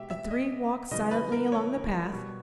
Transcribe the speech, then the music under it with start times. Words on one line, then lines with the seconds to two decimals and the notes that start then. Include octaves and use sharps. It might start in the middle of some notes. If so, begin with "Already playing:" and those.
The three walked silently along the path.
Already playing: B2 G#3 G4 E5
0.10 E5
0.31 D#5
0.91 C#3 E3 G3 D#5
1.11 B4
1.32 A#4
1.52 C#5
2.13 B2 G3